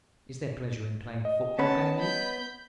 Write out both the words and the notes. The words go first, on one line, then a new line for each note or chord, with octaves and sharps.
Is there pleasure in playing football badly?
D#5
B3 C#4 B4 A5
B5 G6